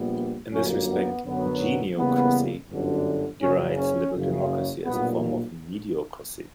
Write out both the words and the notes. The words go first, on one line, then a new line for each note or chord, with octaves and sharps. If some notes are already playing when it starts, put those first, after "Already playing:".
In this respect, Geniocracy derides Liberal Democracy as a form of "Mediocracy".
Already playing: A#1 A#2 G3 B3
G1 F#2 D3 F#3 A#3 C#4
B3
F#2 D3 F#3 B3
E2 C#3 G3 A#3 B3
G1 F#2 D3
F#1 F#2 C#3 C#4
C#4
F#1 F#2 C#3
B1 A#2 G3 A#3 B3